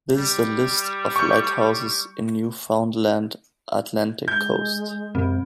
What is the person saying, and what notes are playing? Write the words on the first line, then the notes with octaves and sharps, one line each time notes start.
This is a list of lighthouses in Newfoundland Atlantic Coast.
G3
C#6 G6
G#3 G6
F#2 C3 C4